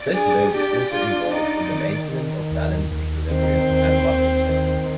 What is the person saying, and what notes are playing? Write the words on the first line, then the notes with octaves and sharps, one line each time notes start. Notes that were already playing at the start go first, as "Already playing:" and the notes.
This lobe is also involved in the maintenance of balance equilibrium and muscle tone.
Already playing: D5
D4 G#4
G4 D5
D4 F4
D#4 D5
D#3
D#3
D#2
D#2
D#3 C4
D#2
D#2
D#3